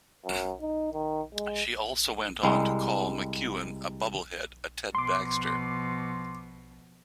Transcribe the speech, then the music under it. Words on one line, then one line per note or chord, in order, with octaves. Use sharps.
She also went on to call McKeown a bubble-head, a Ted Baxter.
F#2
D#4
D#3
G#3
C2 G3 G#3
B2 F3 C6 D6